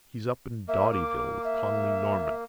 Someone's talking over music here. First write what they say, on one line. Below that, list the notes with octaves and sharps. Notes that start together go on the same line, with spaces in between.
He's up in Dottyville with Connolly Norman.
A#3 E5
D6
E5